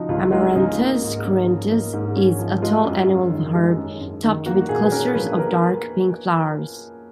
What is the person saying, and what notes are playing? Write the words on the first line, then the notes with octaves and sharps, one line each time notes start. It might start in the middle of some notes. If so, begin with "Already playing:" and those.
"Amaranthus cruentus" is a tall annual herb topped with clusters of dark pink flowers.
Already playing: C#3 F3 D#4 F#4
C#2 F4
G#3 F4
C#3 D#4
A#3
G#2
C#4
F3
A#3
G#2
C#4
F3
G#3 F4
F#2
F#2
D#3
G#3
F#2
F#2
D#3
A#3 F#4
A#2 G#4
B4
C#4 A#4
F3 B4
A#3 A#4